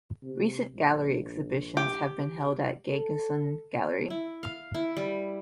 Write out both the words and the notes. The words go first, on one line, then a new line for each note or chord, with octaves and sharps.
Recent gallery exhibitions have been held at Gagosian Gallery.
C3
A#1
G4
A4
E4
F5
E4
G3